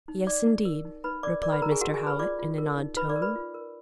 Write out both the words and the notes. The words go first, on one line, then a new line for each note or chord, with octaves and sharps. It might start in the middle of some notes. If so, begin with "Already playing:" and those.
"Yes, indeed," replied Mr. Howitt, in an odd tone.
D#4
D#4 D5 D6
D#4
A#4
D#4
D#4 B4 B5
A#4 D5 D6
A#4 D5 D6
B4 B5
D#4 A#4 A#5
G#4 G#5
F#4 A#4 F#5
G#4 G#5
A#4
B4 B5
F4 D5 D6
F4
A#4
D#4
D#4 B4 B5
D5 D6
A#4
B4 B5
F4
A#4